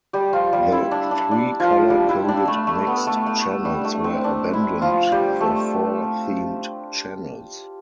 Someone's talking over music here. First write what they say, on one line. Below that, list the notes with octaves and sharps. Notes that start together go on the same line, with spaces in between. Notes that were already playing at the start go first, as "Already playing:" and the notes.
The three colour-coded mixed channels were abandoned for four themed channels.
G3 G4
F3 F4
G3
E4
D4
D4
D4
F3 F4
G3 G4
E4
D4
A3
A3
B3
A3
A3
G3
A3
C4
D4
E4
F3 F4
G3 G4
A3 A4